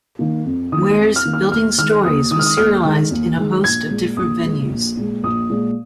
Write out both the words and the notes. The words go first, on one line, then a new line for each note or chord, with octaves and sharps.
Ware's "Building Stories" was serialized in a host of different venues.
D#3 A#3
F2
D#3 A#3 D#6
F2
F6
D#3 A#3
F6
D#2 F6
D#3 G#3 F6
D#2 D#6
D#3 G#3 D#6 F6
D#6
D#2 F6
D#3 G#3
D#2
D#3 G#3
A#1 G#6
A#2 G#3
A#1 D#6
A#2 G#3
A#1
A#2 G#3
A#1 D#6
A#2 G#3